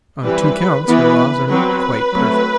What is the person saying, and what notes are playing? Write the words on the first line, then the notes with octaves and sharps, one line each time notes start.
On two counts, her laws are not quite perfect.
E3 G3 C4 B4
E3 B3 B4
F#3 C4 B4
F#3 A3 C4